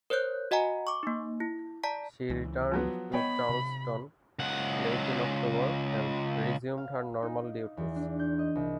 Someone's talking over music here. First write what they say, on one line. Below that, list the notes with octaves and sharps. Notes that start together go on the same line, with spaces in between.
She returned to Charleston late in October and resumed her normal duties.
A#4 C5 C#5 F#6 G6
F#4 D#5 F#5 G#5 A#5
C#6 D6
A#3 D#4
E4
D5 A5 A#5 B6
C#2 E3
F3 F#3 B3
B3 C#5 D#5 G5 B5
C3
C#2 F#5
F5
D#4
E2
D4
G6
D#5
C2